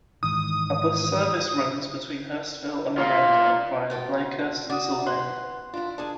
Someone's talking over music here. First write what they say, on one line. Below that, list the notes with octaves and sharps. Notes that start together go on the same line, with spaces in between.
A bus service runs between Hurstville and Miranda via Blakehurst and Sylvania.
G#2 D#3 E3 D#6
F4 D5 F5
B2 F4 G5
F#4 D5 D#6
B3 C6 F#6
D4 E4 F4
D#3 D4 G#4 A5